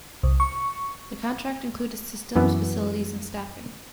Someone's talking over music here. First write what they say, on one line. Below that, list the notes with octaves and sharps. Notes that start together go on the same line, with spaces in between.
The contract included systems, facilities, and staffing.
C2
C#6
F#2 E3 B3